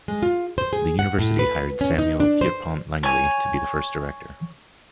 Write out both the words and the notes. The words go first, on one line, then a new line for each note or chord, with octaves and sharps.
The University hired Samuel Pierpont Langley to be the first director.
G#3
F4
C5
G#4
F#5
A2
B4
C#4
D#4
D4
C5
C#5 G#5